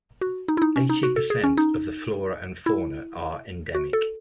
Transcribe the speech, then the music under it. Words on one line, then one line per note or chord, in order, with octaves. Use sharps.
Eighty percent of the flora and fauna are endemic.
F#4
D#4
E4
D#4
C#4
D#4
F#4
A4
G#4
C#4
D#4
E4
F#4
A4